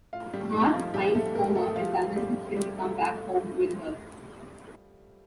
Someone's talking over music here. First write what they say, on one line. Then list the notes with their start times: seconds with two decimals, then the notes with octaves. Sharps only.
Marge finds Homer and convinces him to come back home with her.
0.13 A2 F4 F5
0.33 A2 G3 G4
0.53 A#1 D#4
0.74 F3 A3 F4
0.94 A#1 G3 G4
1.14 A#1 A3 A4
1.35 A2 A#3 A#4
1.55 A3 A4
1.76 F3 A3 F4
1.96 A3
2.16 C2 G3 G4
2.37 A3
2.56 G3 A3 G4
2.77 C2 A3 A4